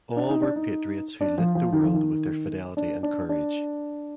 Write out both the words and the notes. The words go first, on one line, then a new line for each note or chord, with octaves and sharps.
All were patriots who lit the world with their fidelity and courage.
D4
D#4
D4
D#4
D4
F3
F3
D#3
F3
D#3
D4
D4
D4